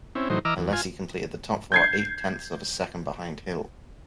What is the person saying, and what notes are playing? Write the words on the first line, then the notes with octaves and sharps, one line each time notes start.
Alesi completed the top four, eight-tenths of a second behind Hill.
C4 C#4 E4
A2 E3 F#3 D#4 C5
E3 D#5 A#5 D6 E6 F6
E2
F4 G#5
G6 G#6 C7